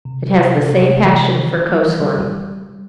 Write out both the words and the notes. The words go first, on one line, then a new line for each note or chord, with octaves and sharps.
It has the same passion for coast-line.
C3
C3
C3
E3
D#3
G3
G3